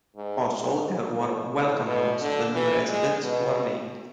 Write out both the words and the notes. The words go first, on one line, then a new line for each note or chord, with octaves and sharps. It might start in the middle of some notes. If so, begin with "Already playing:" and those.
Also there were welcome notes to new residents who were named.
G#2
G#2
A2
A2
B2
D3
E3
G#3
B2